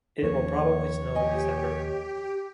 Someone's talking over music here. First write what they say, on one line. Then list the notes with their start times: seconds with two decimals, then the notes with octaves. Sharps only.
It will probably snow in December.
0.23 D#2 F3 A#3 C#5
1.15 G4 D#5 G#5